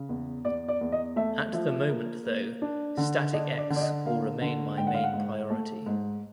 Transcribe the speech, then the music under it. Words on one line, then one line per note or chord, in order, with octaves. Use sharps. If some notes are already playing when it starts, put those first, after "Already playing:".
At the moment though, Static-X will remain my main priority.
Already playing: C#3
E2
E2 D5
D5
E2
D#5
A3 E5
F3 E5
A#3
A#3
D4
D3
D4 D#5
D5
D3
D5
D#5
A#3 F5
D3
G#2 G5
F#5
F5
F#5
G#2
A3
G#2